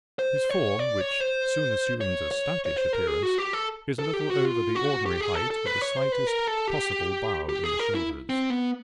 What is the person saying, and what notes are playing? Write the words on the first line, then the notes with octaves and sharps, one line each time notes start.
His form, which soon assumed a stoutish appearance, is a little over the ordinary height with the slightest possible bow in the shoulders.
C5
C#5
D5
C#5
C5
C#5
C#5
C#5
C5
A#4
G#4
F#4
G4
A4
A4
G4
F#4
F4
F#4
G4
G#4
A4
A4
B4
C#5
C5
B4
A#4
A4
G4
G4
G#4
A#4
E4
C4
B3